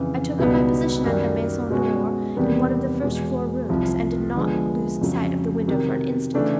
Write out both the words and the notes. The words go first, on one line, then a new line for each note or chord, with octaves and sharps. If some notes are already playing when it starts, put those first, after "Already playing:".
I took up my position at the Maison-d'or, in one of the first-floor rooms, and did not lose sight of the window for an instant.
Already playing: F2 C#3 E3
C#2 B2 G3 B3 D#4
F#2 D#3 G3
B2 G#3 C#4 F#4
E2 C3 D#3 G3 B3
E2 B2 G#3
C2 C3 F3
D3 F3 G#3 B3
F2 C#3 F#3
C3 D#3 F#3
C#3 E3 A3 D4